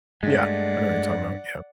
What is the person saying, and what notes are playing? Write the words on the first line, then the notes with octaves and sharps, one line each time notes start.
Yeah, I know what you're talking about, yep.
G2 G#3 A3 D5 F#5